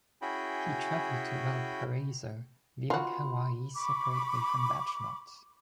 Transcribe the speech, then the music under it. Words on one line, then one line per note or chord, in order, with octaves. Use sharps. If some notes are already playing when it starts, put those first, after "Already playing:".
He traveled to Valparaiso, leaving Hawaii separately from Bachelot.
C#4 E4 F#4 G#4 G5 B5
F4 F#4 B5 C6
B5 C#6 D6